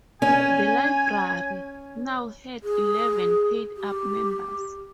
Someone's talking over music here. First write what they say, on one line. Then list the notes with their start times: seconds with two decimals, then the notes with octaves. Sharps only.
The library now had eleven paid-up members.
0.22 C#4 G#5
2.63 G#4
3.77 G4